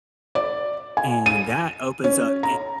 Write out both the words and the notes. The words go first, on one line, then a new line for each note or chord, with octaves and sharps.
And, that opens up eh
D5
G#5
D#7
C#4
A#5